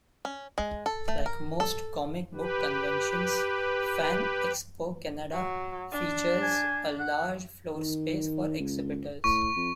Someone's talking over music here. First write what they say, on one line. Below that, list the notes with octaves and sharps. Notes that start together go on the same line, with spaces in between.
Like most comic book conventions, Fan Expo Canada features a large floorspace for exhibitors.
C#4
G#3
A4
A3
A#4
A4
G4 B4
F#3
D4
G#5
F#5
D#3
C#2
A2 C#6
F2